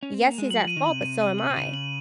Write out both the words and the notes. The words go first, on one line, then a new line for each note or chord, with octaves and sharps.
Yes, he's at fault, but so am I,
C#4
C4
A#3
G#3
F#3 F#7
F3 D#7
D#3
C3 F#7
D#7
D#7
F#7
C3
C#3 D#7
F#7